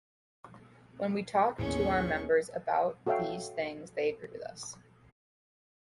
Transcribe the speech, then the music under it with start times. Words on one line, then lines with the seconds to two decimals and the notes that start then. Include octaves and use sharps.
When we talk to our members about out these things they agree with us.
1.59 A1 D#2 B3 C#4 G#4 C#6
3.07 F#4 A4 C#5 E5 F5 G5